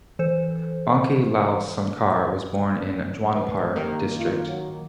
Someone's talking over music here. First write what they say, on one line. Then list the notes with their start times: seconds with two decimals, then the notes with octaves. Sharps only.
Banke Lal Sonkar was born in Jaunpur district.
0.19 E3 A4 C5
3.35 A1 B4
3.76 D#3 A#3 G4
4.19 F4
4.48 F#3